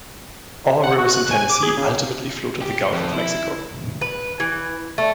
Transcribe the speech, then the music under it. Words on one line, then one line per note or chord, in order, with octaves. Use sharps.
All rivers in Tennessee ultimately flow to the Gulf of Mexico.
F#5
F#4
F#6
G#5
D6
G#4
C#3
G4
F2
E4
B4
E3
A3